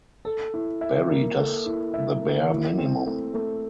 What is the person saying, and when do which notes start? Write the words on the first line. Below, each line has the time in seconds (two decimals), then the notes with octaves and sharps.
Barry does the bare minimum.
0.25 A4
0.54 E4
0.81 E5
1.09 A#3
1.37 A4
1.66 E4
1.94 E5
2.22 A#3
2.49 E4
2.78 C4
3.06 A3
3.34 A3